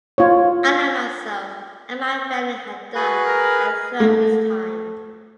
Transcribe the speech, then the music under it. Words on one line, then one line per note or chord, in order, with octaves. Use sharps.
I know myself and my family had done that throughout this time.
F4 C#5
F#4 G#4 B4
A#4
A3